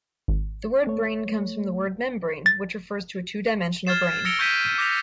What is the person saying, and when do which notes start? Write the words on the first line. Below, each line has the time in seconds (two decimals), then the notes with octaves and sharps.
The word brane comes from the word "membrane" which refers to a two-dimensional brane.
0.28 G#1
0.87 A3 C#5
2.46 A6
3.87 F6 G#6 A6 C7 E7
4.25 E6 A#6 C#7 D7 F7 G7
4.39 C#6 G6 G#6 B6 D#7 E7
4.78 D6 G6 A#6 B6 F7